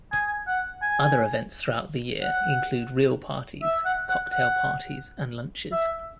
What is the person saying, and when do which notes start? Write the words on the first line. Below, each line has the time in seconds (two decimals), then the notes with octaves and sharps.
Other events throughout the year include reel parties, cocktail parties and lunches.
0.12 G#5
0.47 F#5
0.82 G#5
2.22 F#5
3.62 E5
3.85 F#5
4.09 F#5
4.32 F#5
5.72 E5